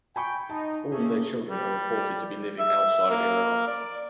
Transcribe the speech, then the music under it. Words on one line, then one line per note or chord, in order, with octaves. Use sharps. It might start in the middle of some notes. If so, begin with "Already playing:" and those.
All their children are reported to be living outside Iran.
G5 G#5 B5 C#6
D#4 A5
A3 A#3 C#4 G#4
G3
E5
A#3
D5